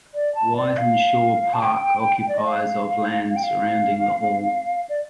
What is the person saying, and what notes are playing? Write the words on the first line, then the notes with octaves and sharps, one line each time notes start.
Wythenshawe Park occupies of land surrounding the hall.
D5
A5
D5
F5
A5
G5
D5
D#5
F5
F5
G5
F5
D5